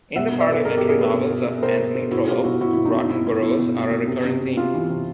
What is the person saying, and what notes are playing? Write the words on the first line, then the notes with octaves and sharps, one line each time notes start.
In the parliamentary novels of Anthony Trollope rotten boroughs are a recurring theme.
B2 E5 F#5
B2
D5 E5
B2 A4 B4
B2 G#4 A#4
G4 A4
B2
G#4 A#4
B2 A4 B4
B2
B2
B2
B2 A#4 C5
B2
B2
B2 E4 F#4
B2 F4 G4
B2 E4 F#4
B2 E4 F#4
E4
B2
D#4
B2 E4
B2 E4
B2 E4
B2 E4
B2
B2
B2
C3
C3
C3
C3 F4 G4
E3
C3